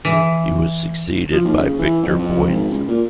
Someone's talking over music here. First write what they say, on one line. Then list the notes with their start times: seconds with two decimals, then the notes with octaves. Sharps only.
He was succeeded by Victor Boysen.
0.05 E3
1.32 F3
1.45 D#2
1.58 C#3
1.78 E3
2.03 F2
2.19 F2
2.50 G#1
2.70 C#2
2.88 A#2